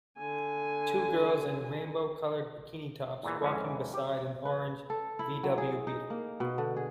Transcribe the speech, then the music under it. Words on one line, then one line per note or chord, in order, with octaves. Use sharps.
Two girls in rainbow colored bikini tops walking beside an orange VW Beetle.
D3 G#5
E2 A#2 E3
F2 G#2 E3 C#4
G4
B4
A4
E4
F#3
G#4
D#4
A#3
B2
D3
G#4